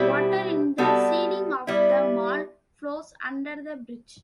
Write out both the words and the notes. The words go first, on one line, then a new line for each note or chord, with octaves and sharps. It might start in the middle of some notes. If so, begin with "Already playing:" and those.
Water in the ceiling of the mall flows under the bridge.
Already playing: B2 G3 C4 E4 G4
C3 G3 B3 F#4 A4
G3 B3 E4